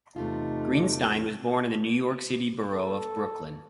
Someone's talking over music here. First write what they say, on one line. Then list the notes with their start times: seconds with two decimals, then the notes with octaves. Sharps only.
Greenstein was born in the New York City borough of Brooklyn.
0.16 E2 C3 A3 D#4 F4
2.73 A4